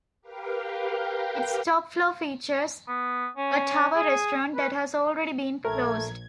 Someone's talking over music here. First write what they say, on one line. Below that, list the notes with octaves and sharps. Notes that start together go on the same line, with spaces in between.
Its top floor features a tower restaurant, that has already been closed.
G4 A#4 B4 F5 G5
B3
C#4
G#4
B4
A#1 A3 A#4 G#6